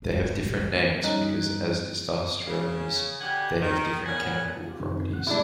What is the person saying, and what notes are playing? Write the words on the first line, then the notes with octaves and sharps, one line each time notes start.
They have different names because, as diastereomers, they have different chemical properties.
G#3 D4
F3 B3
E2 C3
D2 A2
A#3
G2 C#4 D#4 F#6
C#3
B2 D3 G4 F#5 G#5
D#3
A#2 B3 C#4 F#5 G#5
F4 G4
F#2 C3 D#3
F#5
B2 G3 G#3 D4 E4